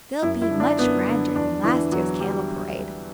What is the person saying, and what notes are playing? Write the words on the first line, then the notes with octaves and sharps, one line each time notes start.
They'll be much grander than last year's candle parade.
F#2 E4
E4
D3
D4
F#2 B3
D3
E2 D4
D3 E3
E2 F#3
D3 G3